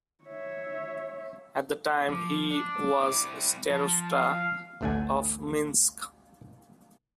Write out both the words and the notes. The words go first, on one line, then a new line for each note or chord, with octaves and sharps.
At the time he was starosta of Minsk.
C#5 E5
F3 D6
D4 D6
C4 E4
F3 A5
F5
A1 D2 A3 D4 F#5 G#5